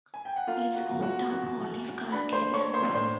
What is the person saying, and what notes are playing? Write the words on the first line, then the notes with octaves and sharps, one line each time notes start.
Its old town hall is currently a bank office.
G#5
G5
F#5
A#3 F4 F5
F#4 F#5
E3
F#4 F#5
E3 F#4 F#5
E3
D4 B4 B5
C5 C6
A#3 C#5 C#6
C5 C6
A2 C5 C6